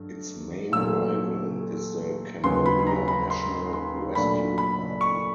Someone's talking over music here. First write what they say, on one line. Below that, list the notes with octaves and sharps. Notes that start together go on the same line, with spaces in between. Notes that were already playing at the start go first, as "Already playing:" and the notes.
Its main rival is the Cambodia National Rescue Party.
Already playing: G2 F#3 A3
A#2 F#3 A3 E6
D#2 C#3 F#3 B3 C6
B5
A#5
B5
C6
C6
A#2 F#3 A3 D4 B5
B5
C#6